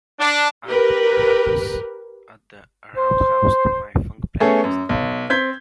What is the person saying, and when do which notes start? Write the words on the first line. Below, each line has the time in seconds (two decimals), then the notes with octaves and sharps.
Add Rattus at the Roundhouse to my funk playlist.
0.19 D4
0.68 G4 A#4 B4
2.97 C5
4.40 A3 B3 C#4 G#4
4.64 F#2
4.89 B1
5.30 C4 G6 G#6 B6 G7